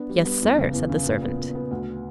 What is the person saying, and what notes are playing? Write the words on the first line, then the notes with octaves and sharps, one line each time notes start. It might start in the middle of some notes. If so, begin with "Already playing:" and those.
"Yes, sir," said the servant.
Already playing: B3 D4
G3
B3
E2
C#3
E2
C#3
A#2
B3
A#2
B3
D2